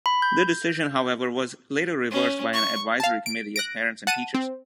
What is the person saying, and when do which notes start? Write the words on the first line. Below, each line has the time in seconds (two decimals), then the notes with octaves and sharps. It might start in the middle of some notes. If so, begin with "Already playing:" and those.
The decision, however, was later reversed by an advisory committee of parents and teachers.
0.06 B5
0.22 G6
2.11 C#4
2.53 C#6
3.00 F5 A5
3.26 D7
3.56 F#6 A#6 D7
4.07 F#5 A5 D#7
4.35 C4